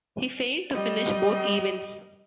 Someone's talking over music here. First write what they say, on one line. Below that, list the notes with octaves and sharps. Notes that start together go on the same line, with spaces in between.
He failed to finish both events.
G3 D#5